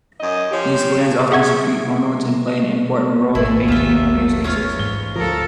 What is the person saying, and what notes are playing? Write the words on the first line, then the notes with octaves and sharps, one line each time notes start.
These glands often secrete hormones, and play an important role in maintaining homeostasis.
F#2 D#5
F3 C#4 G4
G#4 E5 F#5 C#6 G#6
G#1 A3 E4 G#4
D#2 F4 E5 E7 G7
F#3 A3
E2 C#4 F4 C#5
G#2 G#3 G7
D2 F3 A4 A#4